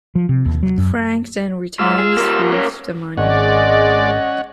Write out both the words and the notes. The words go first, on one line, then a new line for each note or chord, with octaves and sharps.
Frank then returns with the money.
F3
C3
D#2
F#3
F#2
G#2 F4 E6
G#4
G3 A#3
A#3 C#4
G#1 G#3 C#4 D5 D#5 F#5